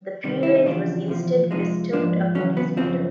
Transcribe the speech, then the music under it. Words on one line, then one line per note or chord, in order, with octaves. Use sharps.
The peerage was instead bestowed upon his widow.
C2 C3 D#3 G3
E4
D#4
E2 C#3 F3 D4
E2 C3 F3
F2 C3 F3 G#3 D#4
G#2 F3 G#3 D4
E2 C#3 F#3 C#4
B3
F#2 C#3 F3 C4